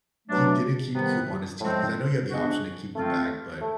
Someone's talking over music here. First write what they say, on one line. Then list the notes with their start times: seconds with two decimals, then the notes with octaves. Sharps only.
he didn't keep Coop on his team, 'cause I know you have the option to keep them back, but
0.27 B2 F#3 A3 D4
0.93 C3 D#3 G3 B3
1.60 A2 F3 G#3 C4
2.28 G#3 B3 D4 F#4
2.94 A3 C4 F4
3.61 A3